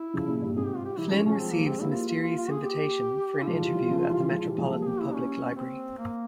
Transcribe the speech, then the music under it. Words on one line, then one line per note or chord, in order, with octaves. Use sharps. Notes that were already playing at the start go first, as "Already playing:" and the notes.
Flynn receives a mysterious invitation for an interview at the Metropolitan Public Library.
Already playing: E4
C#3 F3
A#2 C#3
G2 A#2
G#2 C3 G#4
G4
F4
G4
E3 G3 E4
F3 G#3 C#4
F3 G#3 C#4
C4
G3 A#3
G#3 C4
G3 A#3 E4
F4
F4
F4
F4
G#4
G4
E4
F3 G#3 F4
E3 G3
E3 G3
C#3 F3
E3 G3
F3 G#3
E3 G3
F3 G#3
G3 A#3
G#4
G4
E4
C#4
C4
A#3